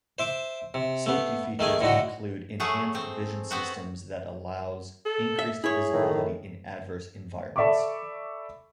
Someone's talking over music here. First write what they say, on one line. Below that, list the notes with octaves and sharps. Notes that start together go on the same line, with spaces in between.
Safety features include Enhanced Vision Systems that allows increased visibility in adverse environments.
C5 E5 D6
C3
A3 B3
D#3 A3 G#4 G#5
A2 D3 D#4 F#4
F#3 A3 G#4 F#5
C4
B3 C4 F#4
A4
E5
E4 G#4 C#5
A2 D#3
A4 D5 E5 B5 C#6 D6